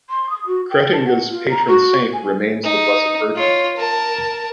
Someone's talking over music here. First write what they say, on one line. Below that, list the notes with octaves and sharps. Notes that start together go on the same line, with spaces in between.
Kretinga's patron saint remains the Blessed Virgin.
C6
D#6
F#4
G5
A5
F#5
F4
A#5
F#4
G#5
D#4
F4 C#5
A#4 A5